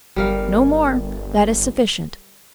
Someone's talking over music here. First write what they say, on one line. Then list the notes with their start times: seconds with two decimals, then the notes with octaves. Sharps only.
'No more; that is sufficient.
0.16 G1 G3 A#4 F5